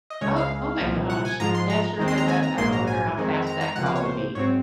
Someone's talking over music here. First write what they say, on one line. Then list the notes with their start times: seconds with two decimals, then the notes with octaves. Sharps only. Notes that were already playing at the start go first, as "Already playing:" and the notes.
Oh Oh, my gosh, that sure would. That I I wonder how fast that call would be.
0.10 D#5
0.21 C#2 C#3 G#3 C#5
0.36 F5
0.81 C2 A#2 F3
1.10 F#5
1.25 G#5
1.40 G#2 F3 G#3 A#5
1.55 C6
1.70 A#5
1.98 D#2 D#3 G#3 C4
2.08 C6
2.18 A#5
2.28 G#5
2.43 A#5
2.58 A#1 G#2 F#3 A#3 C6
2.72 A#5
2.87 G#5
3.17 F2 D#3 G#3 C4
3.47 A#5
3.61 A#5
3.75 C#2 C3 F3 A#3 F#5
3.86 F5
3.95 C#5
4.05 C5
4.35 G#2 F#3 C4 C#5